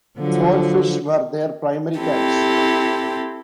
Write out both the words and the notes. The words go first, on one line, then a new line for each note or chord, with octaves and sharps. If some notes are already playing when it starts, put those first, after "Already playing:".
Swordfish were their primary catch.
D3 F3 F#3
C4 E4 G4 A4